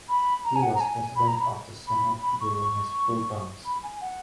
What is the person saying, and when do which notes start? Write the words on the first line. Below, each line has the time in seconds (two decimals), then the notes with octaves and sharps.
He was president of the senate during his two terms.
0.09 B5
0.45 A#5
0.56 G#5
0.62 F#5
0.75 A#5
0.80 G#5
1.16 B5
1.28 A#5
1.40 B5
1.88 B5
2.23 B5
2.41 C#6
2.59 C#6
3.65 B5
3.83 G#5
4.01 F#5